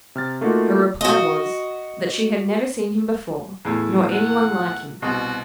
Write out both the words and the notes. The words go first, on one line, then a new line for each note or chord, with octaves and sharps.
Her reply was, that she had never seen him before, nor any one like him.
C3 F6 A6
A3 A#3 D#4 F4 F#4
F#4 D#5
E2 A2
F#5
C2 B2 F#4 D#5